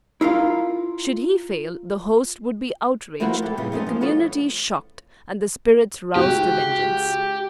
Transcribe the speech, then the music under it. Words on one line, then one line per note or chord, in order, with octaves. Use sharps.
Should he fail, the host would be outraged, the community shocked, and the spirits roused to vengeance.
E4 F4 A#4 F5
F3 A3 A#3 E4 F#4 B4
G4 A4
A#2 C#3 E3 G3
F3 A3 C#4 D#4
F3
E3 B3 F4 A4 C#5
C#2 F#4 G4 F#6